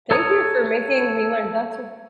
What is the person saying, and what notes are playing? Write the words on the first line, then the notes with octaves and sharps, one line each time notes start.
Thank you for making me learn that's a
A4 C#5 A#5 D#6